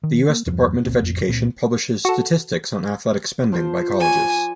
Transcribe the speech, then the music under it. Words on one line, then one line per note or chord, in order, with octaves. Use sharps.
The U. S. Department of Education publishes statistics on athletic spending by colleges.
D#3
A#3
E2 G2 F3
G1 C#2 A#2 C4
A1 F2
C#2 A#2 C4
F#4 A4
F3 C5
D5 G#5 C#6